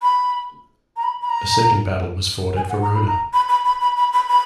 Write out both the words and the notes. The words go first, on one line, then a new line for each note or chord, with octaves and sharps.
A second battle was fought at Verona.
B5
A#5
B5
B5
A#5
G#5
F#5
A#5
B5
A#5
B5
B5
B5
B5
B5
B5
B5